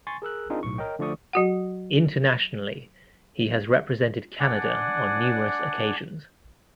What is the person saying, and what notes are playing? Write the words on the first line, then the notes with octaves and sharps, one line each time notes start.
Internationally, he has represented Canada on numerous occasions.
G#5 C6 C#6 A6
G#4 A#4 E6 F#6
C4 D4 D#4 F4 G#4 A#4
B1 A2 C#6
A#4 C#5 D#5 G5
D3 F3 A3 D5 C#6 D#6
F#3 F#4 F#5
D4 D5 F#5 G#5